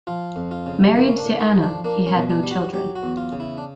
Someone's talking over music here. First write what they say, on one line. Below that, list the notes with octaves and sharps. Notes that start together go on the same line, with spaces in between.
Married to Anna, he had no children.
F3 F4
F2
F4
C#3
A#3 E4
C#4
D4
A2
D#4
F3
D4
A#3 D4
C#4
B2
D4
G3
F#4
F#3 G4
F#4
E2
F4
C#3
E4
D4